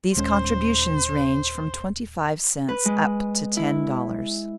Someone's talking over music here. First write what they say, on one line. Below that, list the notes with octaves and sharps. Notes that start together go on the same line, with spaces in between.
These contributions range from twenty-five cents up to ten dollars.
D#1 G#3 C#4 C5
B4
G#3
E4